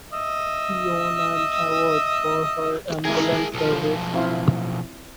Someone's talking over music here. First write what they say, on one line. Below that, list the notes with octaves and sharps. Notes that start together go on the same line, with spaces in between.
She won an award for her ambulance service.
D#5 E5
G#3 E4 G#4 A#4 G#5
B1 F3
C4 E4 F4